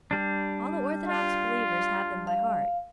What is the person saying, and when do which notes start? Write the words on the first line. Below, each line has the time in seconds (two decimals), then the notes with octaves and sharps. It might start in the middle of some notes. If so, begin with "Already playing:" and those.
All the orthodox believers have them by heart.
0.11 G3 D4
1.07 F4
2.27 F5